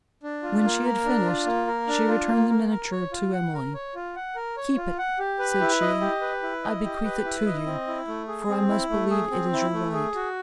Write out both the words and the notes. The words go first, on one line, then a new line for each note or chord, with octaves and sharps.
When she had finished, she returned the miniature to Emily. 'Keep it,' said she, 'I bequeath it to you, for I must believe it is your right.
D4
F4
A#3
A#4
D4
F4
A#3
A#4
D4
F4
A#3
A#4
A#4
C#5
F4
F#5
A#4
C#5
F4
F#5
A#4
C#5
F4
F#5
G4
B4
E4
D#5
G4
B4
E4
D#5
G4
B4
E4
D#5
C4
E4
A3
G#4
C4
E4
A3
G#4
C4
E4
A3
G#4
F#4